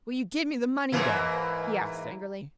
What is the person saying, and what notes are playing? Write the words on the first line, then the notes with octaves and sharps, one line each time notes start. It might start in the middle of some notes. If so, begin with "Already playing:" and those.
"Will you give me the money then?" he asked angrily.
G#2 E3 A#3